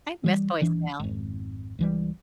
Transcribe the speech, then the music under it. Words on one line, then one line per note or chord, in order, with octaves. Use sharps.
I miss voicemail.
E3 F#3 G3
D#1 E3 D4
G#1 F2
C#2 E3 G3